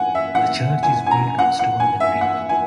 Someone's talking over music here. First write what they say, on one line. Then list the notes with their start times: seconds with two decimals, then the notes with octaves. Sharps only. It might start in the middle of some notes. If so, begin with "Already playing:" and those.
The church is built of stone and brick.
Already playing: F#5 G#5
0.15 E5
0.35 F#5
0.83 G#5
1.06 G#5
1.11 A#5
1.39 F#5
1.59 F#5
1.80 G#5
2.00 E5
2.21 F#5
2.49 G#5